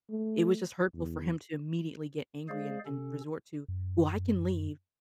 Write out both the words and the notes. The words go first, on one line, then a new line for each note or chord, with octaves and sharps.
it was just hurtful for him to immediately get angry and and resort to, "Well, I can leave."
A3
E2
G#3 G#4 C5 D5 F5
C3 C#4 A4
F#2